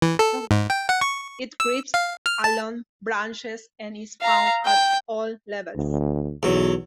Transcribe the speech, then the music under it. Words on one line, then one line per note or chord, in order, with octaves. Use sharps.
It creeps along branches and is found at all levels.
E3
A4
G#2
G5
F#5
C#6
E6
F5
F6
A5
F5 A#5
G5
D2
B1 E2 F#3